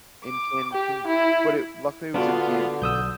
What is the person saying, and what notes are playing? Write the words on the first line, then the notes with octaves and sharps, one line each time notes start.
in Cancun, but it luckily it was in Cancun.
D6
G4
E4
D3 B3 D4 F4 F#4
B1 D#6 E6 G6